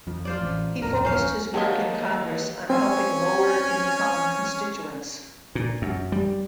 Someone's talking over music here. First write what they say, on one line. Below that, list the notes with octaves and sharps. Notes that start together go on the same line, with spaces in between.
He focused his work in Congress on helping lower income constituents.
F2 F3
F4 C5 D5
A1
D1 A#1 F2 A#4
C#4 C5 F5
D#2 D#3 F#3 G#3 A#3 A5
C4 C#4 C5 G#5
A#2
F#2
G3